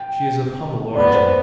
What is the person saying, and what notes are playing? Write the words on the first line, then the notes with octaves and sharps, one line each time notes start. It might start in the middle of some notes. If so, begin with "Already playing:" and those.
She is of humble origin.
Already playing: G5
B3 D5
C5